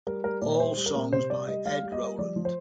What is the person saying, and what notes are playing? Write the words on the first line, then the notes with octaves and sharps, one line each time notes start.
All songs by Ed Roland.
G3 A#4
G3 A#4
A#2 D5
G3 C5
G3
A#4
A#2
C3 C5
G3 D5
G3 D#5
G3 F5
G3
D#5
G3
F3 D5
F3
C5